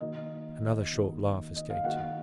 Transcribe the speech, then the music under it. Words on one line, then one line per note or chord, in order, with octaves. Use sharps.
Another short laugh escaped him.
D#3 A#3 D#4 F#4 A#4 D#5
D#3 A#3 D#4 F#4 A#4
D#5
F5
D#3 A#3 D#4 F#4 A#4 F#5